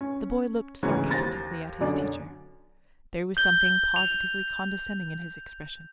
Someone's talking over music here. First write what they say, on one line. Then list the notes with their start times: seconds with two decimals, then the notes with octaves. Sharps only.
The boy looked sarcastically at his teacher. There was something positively condescending in his expression.
0.01 C#4
0.83 D2 G#2 C#3 E3 C#4
1.10 D#2 C5 A6 A#6
1.81 B1 F#2 D3 D5
3.37 G6 G7
3.96 F7